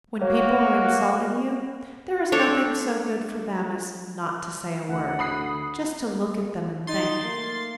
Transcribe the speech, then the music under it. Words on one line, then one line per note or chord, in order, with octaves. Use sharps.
When people are insulting you, there is nothing so good for them as not to say a word--just to look at them and think.
A#3 F#4 C#5
D4 A4 C#5
D2 F#5
B5 D#6 C7
D#4 C6 A6
A3 A#3